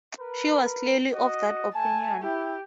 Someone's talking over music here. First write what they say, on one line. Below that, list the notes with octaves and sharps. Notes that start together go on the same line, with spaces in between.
She was clearly of that opinion.
A#4 B4
F#4 D#5
A3 G#5 A5
E4 G4